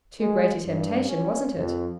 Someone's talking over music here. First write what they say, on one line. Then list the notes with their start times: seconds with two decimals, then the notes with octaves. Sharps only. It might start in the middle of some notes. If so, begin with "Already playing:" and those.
Too great a temptation, wasn't it?
0.20 G#3
0.65 G2
1.08 C#4
1.57 F2